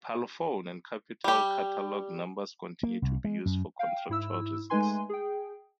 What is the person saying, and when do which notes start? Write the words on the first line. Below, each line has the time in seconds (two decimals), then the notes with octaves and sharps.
Parlophone and Capitol catalogue numbers continued to be used for contractual reasons.
1.24 G3 G4
2.83 A#3
3.02 C2
3.24 G#3
3.46 F#2
3.79 F5 G5
4.09 G#2 E4 E6
4.70 G#3 A3 D#4 B4 G#5 C6
5.09 G#4 G5